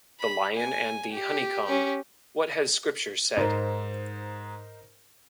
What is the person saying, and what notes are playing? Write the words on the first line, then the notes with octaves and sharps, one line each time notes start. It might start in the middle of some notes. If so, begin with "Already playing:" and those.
The lion and the honeycomb, what has Scripture said?
B5
G#5
G4
C#4 G4
G#2 D#4 A#4 C5